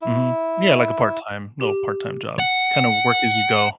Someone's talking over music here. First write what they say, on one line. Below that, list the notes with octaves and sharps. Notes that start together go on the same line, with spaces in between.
Mhm, yeah, like a part-time little part-time job, kind of work as you go,
E4
G4
F#5